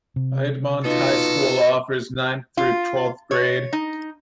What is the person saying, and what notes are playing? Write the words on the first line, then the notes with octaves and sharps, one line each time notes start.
Piedmont High School offers ninth through twelfth grade.
C3
B2 D#4 F4 A4 D#5 C#6
F4
C#5
D#4